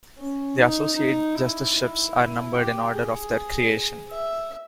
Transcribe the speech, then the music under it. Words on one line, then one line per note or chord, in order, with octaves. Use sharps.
The Associate Justiceships are numbered in order of their creation.
C#4
D#4
D#4
E4
E4
G4
G#4
E5